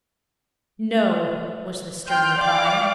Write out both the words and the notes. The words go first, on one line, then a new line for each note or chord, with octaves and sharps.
"No," was the stern reply.
G5 C6 F6 G6
D5 F5 G5 D6